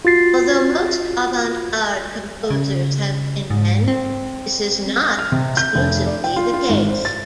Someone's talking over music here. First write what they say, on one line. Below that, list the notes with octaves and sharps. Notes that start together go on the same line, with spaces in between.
Although most avant-garde composers have been men, this is not exclusively the case.
F4 F#4 A6 C7
C#3
G#2
C4
F6
C3
G6
F1
D5
G5
F4
F4
G#1
C5
A6